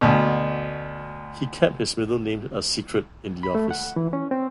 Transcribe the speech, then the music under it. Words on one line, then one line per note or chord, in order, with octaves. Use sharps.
He kept his middle name a secret in the office.
D2 B2
B5
A3
F#5
E3
C#4
C4